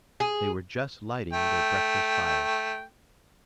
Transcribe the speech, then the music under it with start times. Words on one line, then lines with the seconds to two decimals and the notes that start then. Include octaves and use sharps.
They were just lighting their breakfast fires.
0.20 G#4
1.33 A3 G5